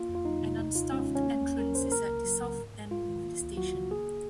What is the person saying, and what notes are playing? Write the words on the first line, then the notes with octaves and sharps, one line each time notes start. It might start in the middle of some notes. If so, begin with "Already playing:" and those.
An un-staffed entrance is at the south end of the station.
Already playing: A#3 F4
F2
F4
F#3 D#4
C3
D#2 D#4
D#2 F4
G#3 C#4
D#3
C#4
A#3
D#2
F#3 A#4
C#3 C5
A#3 A#4
C#2
F#3
C#3
G#2
G#2
G#3 F4
D#3
A#3
C#2
F#3 F#4
C#3
A#3 G#4